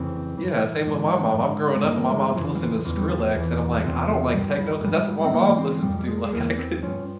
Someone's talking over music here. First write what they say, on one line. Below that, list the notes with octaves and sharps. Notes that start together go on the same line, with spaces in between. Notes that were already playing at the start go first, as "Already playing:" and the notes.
i yeah, same with my mom, I'm growing up and my mom's listening to Skrillex, and I'm like, "I don't like techno 'cause that's what my mom listens to," like, I couldn't
Already playing: F2 C#3 E3 C4
G2 E3
G#2 E3
G#2 F3
G#3
G2 E3 A#3
G#3
F2 C#3 E3 F3
G3
F3
E2 E3 F3
G3
F3
E2 E3
E2 C3 F3
G2 F3 G3
G3
G#2 F3 G3
C4
G#2 E3 A#3
A#3
C4
F2 C3 F3 G3
G3
G#3
G#3
E2 E3 A#3
C4
G2 F3 C#4